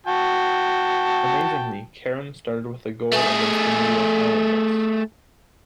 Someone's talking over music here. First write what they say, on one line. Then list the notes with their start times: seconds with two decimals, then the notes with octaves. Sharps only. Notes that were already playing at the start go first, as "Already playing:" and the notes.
Amazingly, Cairns started with a goal against the New York Islanders.
0.07 F#4 G5 A5
3.12 A3 G#4